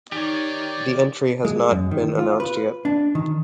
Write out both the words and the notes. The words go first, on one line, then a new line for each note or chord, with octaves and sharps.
The entry has not been announced yet.
D#3 D#4 G4 C#5 D5
G#3
F#2
D#3
F4
B4
D4
D#3